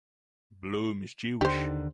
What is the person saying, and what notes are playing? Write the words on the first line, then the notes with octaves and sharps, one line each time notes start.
Bloom is Jewish.
D#2 D3 D#3 G4 C5